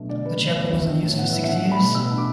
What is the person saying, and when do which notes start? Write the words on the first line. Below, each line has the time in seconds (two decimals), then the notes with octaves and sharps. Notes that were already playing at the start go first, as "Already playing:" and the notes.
The chapel was unused for six years.
Already playing: B2 F#3 A3 D4
0.09 D3 D5
0.25 A3 B4
0.40 F#3 B4
0.55 B3 B4
0.72 E3
0.79 E5
0.86 D4
1.03 A2
1.17 B3 F#5
1.32 E3 E5
1.43 E5
1.48 D4 F#5
1.64 A3
1.72 B5
1.79 B2
1.95 B2 E6
2.11 D4
2.18 D6